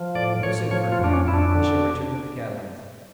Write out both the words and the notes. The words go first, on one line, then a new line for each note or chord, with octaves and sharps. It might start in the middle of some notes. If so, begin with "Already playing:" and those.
"No," said Fernand; "I shall return to the Catalans."
Already playing: F3
A2 D5
A2 C#5
F3 C#5
F4
F2 D4
C#4
F2 E4
D4
D3